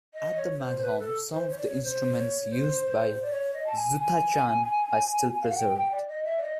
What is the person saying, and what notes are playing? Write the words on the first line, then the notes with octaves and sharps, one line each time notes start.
At the madhom, some of the instruments used by Ezhuthachan are still preserved.
D#5
C#5
C5
B4
A4
C5
C#5
D5
C#5
C5
C#5
C5
C5
C5
D5
C#5
D#5
A5
G#5
G#5
F5
F#5
G5
G5
D5
D#5
E5
D5
D#5